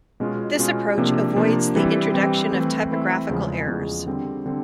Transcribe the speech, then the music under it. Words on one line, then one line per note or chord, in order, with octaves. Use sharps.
This approach avoids the introduction of typographical errors.
B2 G#3 C#4 F4
B2 G#3 C#4 F4
C3 F3 A#3 D4
C3 F3 A#3 D4
E3 G3 C4 E4
E3 G3 C4 E4
E3 A3 C4 E4
E3 A3 C4 E4
E2 C#3 F3 G#3
E2 C#3 F3 G#3
D3 G3 C4
D3 G3 C4